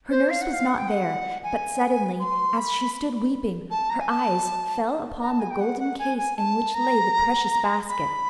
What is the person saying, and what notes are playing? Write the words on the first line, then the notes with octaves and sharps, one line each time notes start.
Her nurse was not there, but suddenly, as she stood weeping, her eyes fell upon the golden case in which lay the precious basket.
C5
F5
F#5
F5
F#5
G5
F#5
G#5
C6
B5
A5
A#5
G#5
A5
A#5
A5
G#5
G5
F#5
F#5
G#5
G#5
A5
A#5
B5